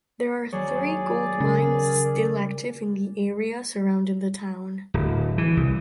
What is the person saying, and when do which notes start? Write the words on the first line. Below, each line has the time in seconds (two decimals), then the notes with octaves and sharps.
There are three gold mines still active in the area surrounding the town.
0.53 D#2 F#3 G#4 C#5 D5
1.40 C#3 A#4
4.94 D1
5.38 E3
5.57 C2